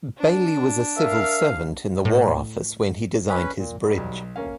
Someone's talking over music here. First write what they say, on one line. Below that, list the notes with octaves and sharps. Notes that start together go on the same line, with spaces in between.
Bailey was a civil servant in the War Office when he designed his bridge.
D4
A#4 E5 F5
A2
C#4 B4
A#2
F#3 G3
B1
D2 A#3 C#4 F5